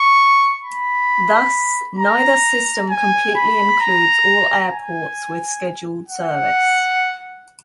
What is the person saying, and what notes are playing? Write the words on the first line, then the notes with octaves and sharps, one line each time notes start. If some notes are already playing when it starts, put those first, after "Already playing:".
Thus, neither system completely includes all airports with scheduled service.
Already playing: C#6
B5
A#5
G#5
B5
A#5
G#5
F#5